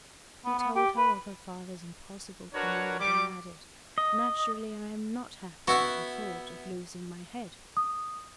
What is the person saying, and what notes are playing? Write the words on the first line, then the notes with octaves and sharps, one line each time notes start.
He told her of her father's impossible command and added, "Naturally, I am not happy at the thought of losing my head."
B3
B3
G4
B4
D4 F#4 A#4 B4 C#5
G3 D6
D#5
B3 E4 F#4 E5
D#6